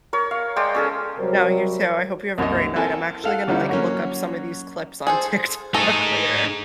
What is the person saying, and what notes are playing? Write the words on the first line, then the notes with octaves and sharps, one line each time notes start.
No, you too, I hope you have a great night. I'm actually gonna, like, look up some of these clips on TikTok later.
A#4 C#5
F5
G#3 D5 G5
C#4 G#4 A4
C3 F#3 G3 A#4 C5 C#5
C2 F#2 A#3 D#5
C4 E4 A4 A#4 G#5 A5
A4 F5 F#5
D3 G3 C#4 D#4 E4
F#3 A#3 C#4
G#4 A4 C5
A3 D#4 G#4 A4